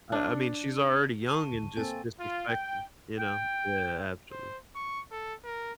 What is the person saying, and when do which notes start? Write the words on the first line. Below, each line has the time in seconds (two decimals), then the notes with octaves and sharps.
I I mean, she's already young and just disrespecting you know yeah, absolutely.
0.12 D4
1.28 A5 C#6 D#7
1.77 A#3 C4 A4 G#5 A6
2.19 F4
2.48 G5
3.19 G5
4.31 C5
4.75 C#6
5.12 A4
5.44 A#4